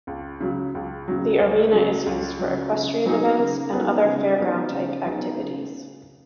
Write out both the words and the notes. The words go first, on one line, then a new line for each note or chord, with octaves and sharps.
The arena is used for equestrian events, and other fairground type activities.
C#2
C#3 F#3
C#2
C#3 F#3
C#2
C#3 F#3
C#2
C#3 F#3
C#3
F#3 B3 D#4 G#4
C#3
F#3 B3 D#4 G#4
C#3
F#3 B3 D#4 G#4
C#3
F#3 B3 D#4 G#4
C#3